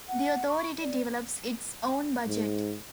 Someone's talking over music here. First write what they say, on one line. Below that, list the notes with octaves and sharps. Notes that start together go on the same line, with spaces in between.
The Authority develops its own budget.
F#5
C#6
D5
G#2